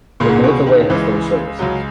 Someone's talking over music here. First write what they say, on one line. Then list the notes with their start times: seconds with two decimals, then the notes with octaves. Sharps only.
The motorway has no services.
0.20 C#2 A#2 C#3 G#3
0.28 G#2
0.36 A#2
0.43 B2
0.66 D#3
0.90 C#2 C#3 E3 G#3
1.59 C#2 C#3 F#3 G#3